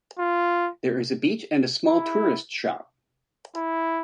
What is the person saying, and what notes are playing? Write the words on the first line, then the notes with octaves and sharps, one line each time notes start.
There is a beach and a small tourist shop.
F4
E4
E4